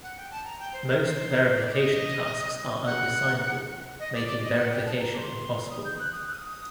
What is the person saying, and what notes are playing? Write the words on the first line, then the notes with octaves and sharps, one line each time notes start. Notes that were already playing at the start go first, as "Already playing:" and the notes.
Most verification tasks are undecidable, making verification impossible.
F#5
G5
A5
A#5
G5
C5
A#4
C5
C5
A#4
C5
D5
D#5
F#5
D#5
D5
D5
D#5
F#5
G5
A5
A#5
D6
C6
D#6
G6
F#6
D#6
F#6
D#6